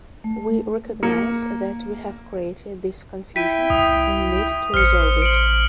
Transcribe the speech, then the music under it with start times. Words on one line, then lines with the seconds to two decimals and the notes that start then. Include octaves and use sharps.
We recognize that we have created this confusion and need to resolve it.
0.24 A3
1.03 A#3 C#7
3.36 E4 G5 B6 D#7
3.70 C2 D#6
4.74 A1 C5 F6 C#7
5.22 D7 F#7